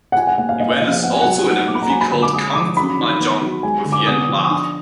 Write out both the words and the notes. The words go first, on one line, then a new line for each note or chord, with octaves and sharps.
Yuen is also in a movie called "Kung Fu Mahjong", with Yuen Wah.
F#5
F4 G#5
F#5
A#3 F#5
F5
A#3 D#5
D#5
F5
F3 D#5
F5
B3 F#5
G#5
F#3 F#5
D#4
A#3 D6
B5
A#5
F#3 G#5
B5
D3 B5
D6
G#3 D#6
F3 D6
F#3 B5
D#3
B3
F#3
G#3 G#5
D3
D6
B3 D#6
F3
D4